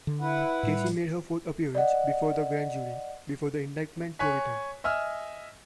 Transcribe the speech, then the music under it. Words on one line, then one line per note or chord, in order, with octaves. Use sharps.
Casey made her fourth appearance before the grand jury before the indictments were returned.
D3
E4 B4 F#5
A2 G3
D5 D#5 F#5
C#5 G#5 F#6 B6
D#5 E5 G#5 E6 F6